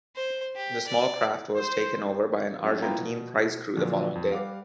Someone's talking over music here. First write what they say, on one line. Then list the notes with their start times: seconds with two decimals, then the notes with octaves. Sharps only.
The small craft was taken over by an Argentine prize crew the following day.
0.16 C5
0.56 G4
0.87 D5
1.55 C5
2.63 F#3 C#4 D4 G4
2.82 A#3 B3 E4 F4 G5 A#5
2.98 B2
3.76 A#2 D3 F3 F#3
4.15 F2
4.31 G3 F5 F#5 D6